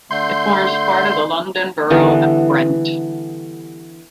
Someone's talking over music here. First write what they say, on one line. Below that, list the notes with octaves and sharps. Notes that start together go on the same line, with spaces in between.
It forms part of the London Borough of Brent.
D3 A3 C6 G6
D3 E3 G3 B3